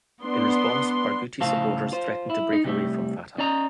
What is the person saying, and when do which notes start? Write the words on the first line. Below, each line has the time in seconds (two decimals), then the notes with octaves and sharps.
In response, Barghouti's supporters threatened to break away from Fatah.
0.23 B3 D4 C6
1.40 A2 C#3 F3 A4 C5 F5
1.92 F4 C5
2.30 E4
2.53 D#4
2.65 C3 G3 A3
3.38 C#4 D5 D#5 A#5